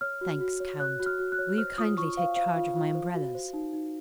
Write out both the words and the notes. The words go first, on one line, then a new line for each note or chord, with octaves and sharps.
Thanks, Count; will you kindly take charge of my umbrellas?
C#5 F6
F#4
F#4
C#5
C#5 F#6
F#4
F6
F#4
F#6
C#5
C5 F6
F4 D#6
F4 C#6
C5 F5
C5 F5
F4
F4
C5
F#4
C5
D#4
D#4